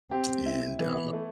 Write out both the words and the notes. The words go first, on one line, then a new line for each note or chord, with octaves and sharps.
and, uh,
C4 G4
E4
E3 B3
A3